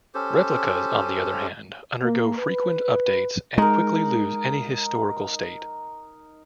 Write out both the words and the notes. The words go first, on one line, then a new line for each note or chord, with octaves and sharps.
Replicas, on the other hand, undergo frequent updates and quickly lose any historical state.
C#4 G4 A4 C5
A#3
B4
G#3 D#4 A#4